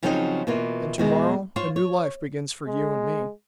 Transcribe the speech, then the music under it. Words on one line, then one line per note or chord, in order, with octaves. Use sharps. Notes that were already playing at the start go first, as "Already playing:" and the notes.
"And to-morrow a new life begins for you and me."
C#3 F3 F#3 C4 D4 D#4
B2 E3 A#3 F4
E2 B2 G#3
F4 C5 C#5
C#5
G#3